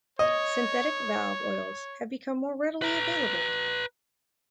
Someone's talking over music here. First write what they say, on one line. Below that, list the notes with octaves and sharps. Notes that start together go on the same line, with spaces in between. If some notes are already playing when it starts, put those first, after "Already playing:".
Synthetic valve oils have become more readily available.
C#5 D#5
B4 A#5